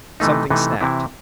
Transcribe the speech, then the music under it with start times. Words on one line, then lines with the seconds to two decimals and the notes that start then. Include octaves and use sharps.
Something snapped.
0.20 C3 E3 A3 D#4
0.50 C3 E3 A3 D#4
0.81 C3 E3 C4 E4